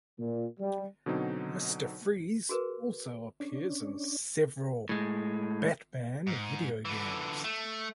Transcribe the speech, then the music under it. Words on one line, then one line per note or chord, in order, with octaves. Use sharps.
Mister Freeze also appears in several "Batman" video games.
A#2
G3
B2 D3 F#3 C4 D#4
F#4 G#4 A#4 B4
C#4 D4
A2 G#3
G#2
D3 E3
A3